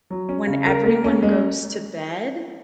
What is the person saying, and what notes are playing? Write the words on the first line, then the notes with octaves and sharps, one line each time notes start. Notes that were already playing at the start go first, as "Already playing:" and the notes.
when everyone goes to bed
F#3
C#4
C#3
A#4
A#3
C#4
G#3